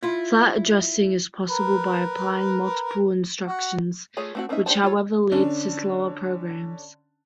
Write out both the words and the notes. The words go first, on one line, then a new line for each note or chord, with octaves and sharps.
Flat addressing is possible by applying multiple instructions, which however leads to slower programs.
E4 F4
A#4 B4
F#4
A3 F4 G#4 C#5 G#5
A3 C4 F#4
A3 C4 C#4 D#4 E5
D4 G4 C5 A5
F4 A4 C#5
D3 C#4 D4